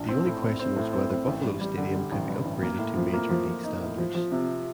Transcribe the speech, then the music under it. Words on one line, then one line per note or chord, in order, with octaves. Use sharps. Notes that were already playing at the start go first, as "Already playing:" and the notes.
The only question was whether Buffalo Stadium could be upgraded to major-league standards.
Already playing: A#1
C4
A2
C4
C4
A2
C4
C4
A1
G3
G3
D3
G3
A1
G2
A1
A#3
A2
F3
A#3
F3
F3
D#4
A2
F3
F3
C3